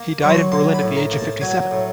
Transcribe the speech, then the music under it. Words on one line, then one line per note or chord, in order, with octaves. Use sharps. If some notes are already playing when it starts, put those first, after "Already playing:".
He died in Berlin at the age of fifty-seven.
Already playing: A#3
F#3 C#6
C6
C#6
A#3 C6
B5
A2
A#5
A#3
A5
F#3 G#5
A2